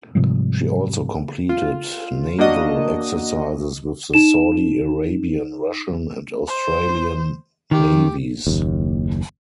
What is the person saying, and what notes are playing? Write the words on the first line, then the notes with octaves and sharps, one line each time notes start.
She also completed naval exercises with the Saudi Arabian, Russian, and Australian navies.
G#2 C3 F3 G3
F4
A#3 D4 F#4 D#5
D#4 E7
C5
D#3 G4
F#1 D#2